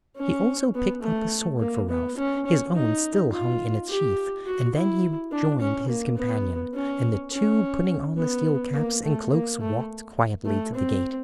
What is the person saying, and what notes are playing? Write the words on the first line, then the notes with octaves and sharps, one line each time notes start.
He also picked up a sword for Ralph--his own still hung in its sheath--and then he joined his companion, and the two putting on the steel caps and cloaks walked quietly to the gate.
C#4
B3
A3
A#3
B3
C#4
C#4
D#4
F4
G4
F#4
E4
D4
C#4
A#3
B3
C#4
C#4
B3
A#3
A3
A#3
A3
A3
C4